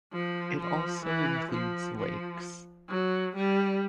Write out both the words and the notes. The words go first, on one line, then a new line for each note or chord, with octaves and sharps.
It also includes lakes.
F3
F3
E3
F3
F3
F#3
G3